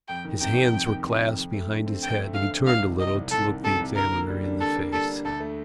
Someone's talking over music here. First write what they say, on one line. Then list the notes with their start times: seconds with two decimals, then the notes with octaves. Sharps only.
His hands were clasped behind his head, and he turned a little to look the examiner in the face.
0.08 F2 G5
0.25 D#3
0.40 C3 G5
0.57 F2
0.73 F2
0.89 D#3
1.05 C3
1.22 F2
1.38 F2
1.54 A3
1.70 D3
1.87 C4
2.02 F2 G5
2.18 A3
2.34 D3 F5
2.51 C4
2.66 C2 F5
2.83 D#3
2.99 C3 D#5
3.15 C2
3.31 C2 A4
3.47 D#3
3.64 C3 A4
3.80 C2
3.96 D3 A#4
4.12 A#3
4.28 G3
4.44 D4
4.60 D3 A4
4.76 A#3
4.92 G3 A4
5.09 D4
5.25 D2 A4
5.40 A3